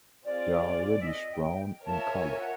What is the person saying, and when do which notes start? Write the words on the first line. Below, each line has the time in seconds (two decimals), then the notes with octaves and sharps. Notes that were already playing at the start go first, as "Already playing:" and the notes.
They are reddish-brown in color.
0.25 C4 F4 G#4 D5
1.01 E5
1.06 D#5
1.32 G5
1.86 F4 A#4 C#5 E5 A5
2.13 G#5
2.40 F#5